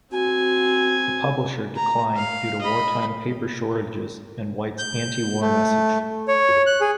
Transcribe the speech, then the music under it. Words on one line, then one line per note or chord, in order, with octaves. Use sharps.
The publisher declined due to wartime paper shortages and White's antiwar message.
C4 F#4 G#5
A#5
F5
D#5 B5
G6
A3
C#5
F#6
G#4